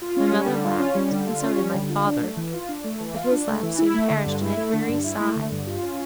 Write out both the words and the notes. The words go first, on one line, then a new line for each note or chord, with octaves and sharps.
My mother laughed, and so did my father: but his laugh soon perished in a dreary sigh.
F4
C#4
G3
D3
F4
C#4
G3
D3
F4
C#4
G3
D3
F4
D4
A3
E3
F4
D4
A3
E3
F4
D4
A3
E3
E4
A3
D3
G2
E4
A3
D3
G2
E4
A3
D3
G2
F4
C#4